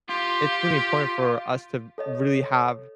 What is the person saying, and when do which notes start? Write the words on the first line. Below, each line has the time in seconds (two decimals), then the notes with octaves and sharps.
it's really important for us to really have
0.09 F4 G4
1.98 A4 C#5 D#5